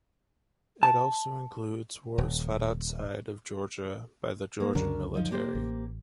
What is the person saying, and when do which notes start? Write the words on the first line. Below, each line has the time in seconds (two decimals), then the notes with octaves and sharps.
It also includes wars fought outside of Georgia by Georgian military.
0.83 A5
2.18 D#1
4.60 A#3
4.75 C#2 F#2 D3 C#4 D4 A#4
5.14 F3 D#4 F4
5.31 A#3 G4 C5
5.55 A1